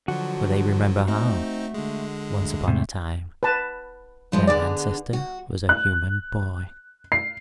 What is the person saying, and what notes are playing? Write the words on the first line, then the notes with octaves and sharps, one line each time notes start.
For they remember how, once upon a time, their ancestor was a human boy.
D3 F3 F#3 F#4
A3 C4 D#4
D3 G#3
D2
G#2 C3 A3
B4 A5
G2 F3 G#3
D3 B3 G#4 D5
F#4
F#6
C7